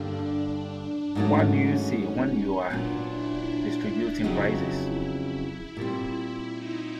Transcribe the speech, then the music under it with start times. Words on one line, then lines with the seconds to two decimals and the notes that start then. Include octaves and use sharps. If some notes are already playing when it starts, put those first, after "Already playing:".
What do you say when you're distributing prizes?
Already playing: G2 D3 G3 A#3 D4
1.15 G#2 D#3 F#3 A3 C#4 D4
2.70 A#2 F#3 B3 D4
3.08 E4
3.47 E4
4.24 F2 C#3 F#3 B3 D#4
5.77 A#2 G3 C4 E4
6.54 D#4